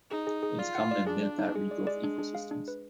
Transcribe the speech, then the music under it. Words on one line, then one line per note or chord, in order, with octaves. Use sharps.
It is common in milpa regrowth ecosystems.
D#4 G#4
G#4
G#4
F4 D5
F#5
D5
D4 G#4
D5
D#4
G#3 G#4
D5
D5
D4
D4
F5
D4
B4